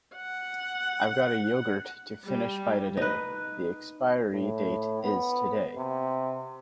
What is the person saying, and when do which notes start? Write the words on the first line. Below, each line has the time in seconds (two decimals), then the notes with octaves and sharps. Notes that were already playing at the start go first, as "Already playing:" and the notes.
I've got a yoghurt to finish by today, the expiry date is today.
0.15 F#5
2.24 G3
2.97 D#4 B4
4.32 A2
5.03 B3
5.76 C3